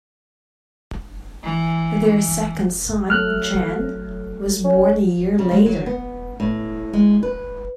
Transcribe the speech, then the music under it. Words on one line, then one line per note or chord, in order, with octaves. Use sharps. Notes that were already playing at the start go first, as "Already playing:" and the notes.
Their second son, Gen, was born a year later.
E3
E3
F#3 A3 A4 F6 F#6
C#4
C#3
G#3
F#3
B3
A2
G#3
B4